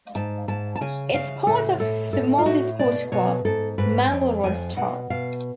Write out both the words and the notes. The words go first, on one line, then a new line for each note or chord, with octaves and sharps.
It's part of the multi-sport club Manglerud Star.
G#2 A5
G#2 A5
A5
C#3 G#5
C#3 F5
A2 A4
A2 A4
A2 A4
F4
A2 F#4
B2 D5
B2 C#5
G#2 A4
G#2 B4
F2
F2 G#5
B2 F#5
B2 F5